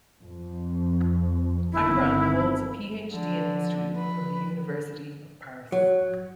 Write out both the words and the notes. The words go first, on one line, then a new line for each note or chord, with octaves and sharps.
Akram holds a PhD in history from the University of Paris.
F2
G1 D#3 C4 E4
D3 F3
B4
F#3